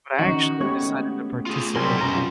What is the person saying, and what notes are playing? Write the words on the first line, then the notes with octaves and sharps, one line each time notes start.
but I actually decided to participate
D#3 C#4 D#4 F#4
G#3 A3 B3 C#4 G4 C#5
F4 G#4
B1 C3 F#3 G3 A#4 G#5 C6
C#2 F#2 A#5
G3 F4